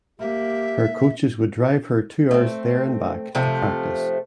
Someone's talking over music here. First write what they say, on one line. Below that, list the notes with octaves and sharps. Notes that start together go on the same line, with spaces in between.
Her coaches would drive her two hours there and back to practice.
A#3 G4 E5
A3 C4
C3 F3 A3